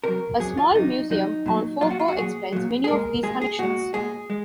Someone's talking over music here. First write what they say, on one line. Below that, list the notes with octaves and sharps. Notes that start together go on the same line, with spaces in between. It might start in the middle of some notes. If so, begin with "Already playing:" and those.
A small museum on Fogo explains many of these connections.
C3 F#3 A#4
C3 F#3 G#4
F4
C3 F#3 D#4
C3 F#3 D#4
A#2 F#3
A#2 F#3 F4
F#4
F4
F#4
A#2 F#3 G#4
A#2 F#3
G#4
A#2 G#3 A#4
A#2 G#3 G#4
G#4
A#2 G#3 F#4
A#2 G#3 G#4
G#3